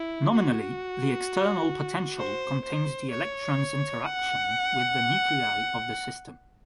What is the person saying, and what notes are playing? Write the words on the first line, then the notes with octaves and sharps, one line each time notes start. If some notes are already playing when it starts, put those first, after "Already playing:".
Nominally, the external potential contains the electrons' interaction with the nuclei of the system.
Already playing: E4
F#4
C5
C5
C#5
F#5